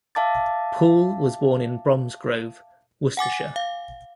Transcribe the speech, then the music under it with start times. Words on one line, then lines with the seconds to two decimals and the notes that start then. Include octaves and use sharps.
Poole was born in Bromsgrove, Worcestershire.
0.15 E5 F5 A5 D6 A6
3.17 F#5 G#5 D6 A6
3.56 F5